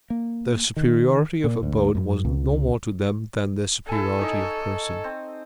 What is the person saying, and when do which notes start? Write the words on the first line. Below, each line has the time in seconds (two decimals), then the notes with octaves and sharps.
Their superiority of abode was no more to them than their superiority of person.
0.10 A#3
0.76 D#3
1.44 A#2
1.63 D2
1.95 F#2
2.25 C#2
3.88 E4 A4 G#5
4.19 D#4 C#5 D#5
5.04 C4